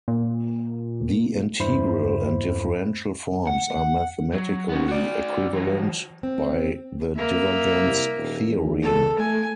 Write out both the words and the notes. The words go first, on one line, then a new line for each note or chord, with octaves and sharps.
The integral and differential forms are mathematically equivalent, by the divergence theorem.
A#2
E2 G2 E4 C5 B5
F#5
F#3
B3 C#4
F#4 D5
E3 F#3
C4
A#3 E5
C2
D#1
E2
A4
A3 G#5